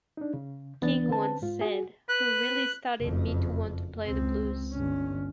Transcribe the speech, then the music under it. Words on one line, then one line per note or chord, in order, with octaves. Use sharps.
King once said, who really started me to want to play the blues.
D4 D#4
C#3
C2 E3 B3 D4 A6
D3 C4 C#4 B4 A5
G#2 F4
F#4 G#4
B4 F#6
F#1 F2
C#2 C4
G1 C#4